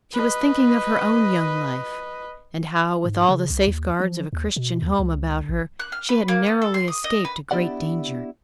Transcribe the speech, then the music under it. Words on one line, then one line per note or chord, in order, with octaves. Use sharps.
She was thinking of her own young life, and how, with all the safeguards of a Christian home about her, she had narrowly escaped a great danger.
B4 D#5
G#2
C#3
C2
D#2
F3
D#2
B2
D#2
C#2
A1
F#6
F6
B4
A#3
B3
A4
C6
D#6
D#5
B4
B3 D4 E4 G4 D5 F#5